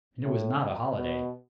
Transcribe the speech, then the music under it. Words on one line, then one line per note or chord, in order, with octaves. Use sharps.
And it was not a holiday.
A2
B2